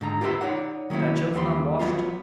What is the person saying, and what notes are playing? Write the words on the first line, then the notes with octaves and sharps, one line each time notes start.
Their children unwashed.
G#2 D3 A#5
F4 G4 A#4 B4 E5 C6
D#4 C#5 D5 F#5
D#3 F#3 A#3 C#4 E4
D#2 G3 F5 B5 C6
F3 F#3 B3 C4 F4